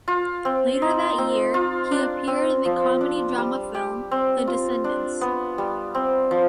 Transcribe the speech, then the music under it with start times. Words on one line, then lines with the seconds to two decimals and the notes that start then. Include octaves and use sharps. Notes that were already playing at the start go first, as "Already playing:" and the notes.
Later that year, he appeared in the comedy-drama film "The Descendants".
0.08 F4
0.45 C4
0.82 D#4
1.18 C4
1.54 F4
1.91 D4
2.27 C4
2.65 F3
3.01 D4
3.38 G3
3.74 G4
4.11 C4
4.47 F4
4.84 D4
5.21 B3
5.58 G3
5.95 C4
6.31 F3